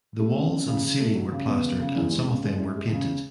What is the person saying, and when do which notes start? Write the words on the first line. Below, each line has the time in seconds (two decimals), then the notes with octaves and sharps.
The walls and ceiling were plastered and some of them were painted.
0.20 A3
0.36 C#4
0.52 C#4
0.68 C#3
0.83 C#3
1.00 A3
1.15 F#3
1.32 C#3
1.48 B3
1.64 C#3
1.80 C#3
1.96 E2
2.12 G#3
2.28 C#3
2.44 G#3
2.60 F#2
2.76 G#3
2.92 C#3